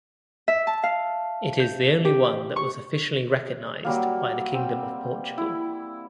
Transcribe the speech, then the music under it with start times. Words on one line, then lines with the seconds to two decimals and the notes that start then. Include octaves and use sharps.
It is the only one that was officially recognised by the Kingdom of Portugal.
0.48 E5
0.67 A5
0.84 F5
1.60 G6
2.05 G4
2.56 C#6
3.85 F#3 G3 A#3
4.54 C4 G5 E6
5.38 E4